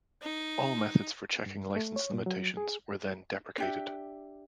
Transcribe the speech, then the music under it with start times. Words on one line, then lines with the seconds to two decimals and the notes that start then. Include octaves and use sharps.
All methods for checking license limitations were then deprecated.
0.22 D#4
1.46 G2
1.76 A3
1.96 C#5
2.14 A#2
2.26 F#3
2.57 G#4
3.58 D4 G4 E5